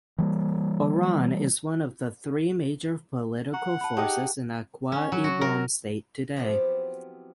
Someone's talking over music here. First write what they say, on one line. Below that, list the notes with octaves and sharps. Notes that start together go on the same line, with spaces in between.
Oron is one of the three major political forces in Akwa Ibom State today.
E3 G3 A#3
F#5 A#5 C#6
A5 B5
D#4 G4 G#4 A5 D#6
C#4
F#3
F#4
A#4
F3 F#3 B3 C4 E4 G4